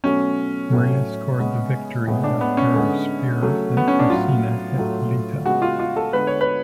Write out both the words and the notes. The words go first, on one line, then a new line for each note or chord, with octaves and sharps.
Maria scored the victory after a spear meant for Cena hit Lita.
B2 F#3 A3 C#4
A2 F#3 A3
C#3 G#3 B3
A2 G#3 B3
D4
B3
C#4
D3 G#3 B3
C#3 F#3 A3
B3
C#4
D4
A2 F#3 B3 F4
A2 F#3 A3
C#3 G#3 B3 F#4
F4
F4
A4
D3 G#3 B3 B4
C#5
B4